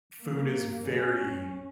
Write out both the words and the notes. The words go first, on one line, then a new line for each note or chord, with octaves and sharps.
food is very
A#3
C#4